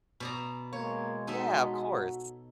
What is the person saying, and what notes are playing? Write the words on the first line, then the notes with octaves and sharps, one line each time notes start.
Yeah, of course.
B2 D5 A#5
G#3 A#3 C#5
D#4 F#4 A4 E5